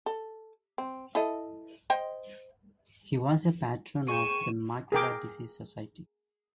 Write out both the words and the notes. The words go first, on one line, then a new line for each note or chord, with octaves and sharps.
He was a patron of the Macular Disease Society.
A4
C4
E4 A4 D#5
C5 D#5 G5
G#3 G5 C#6 D#7 E7
G#4 A#4 G5 D6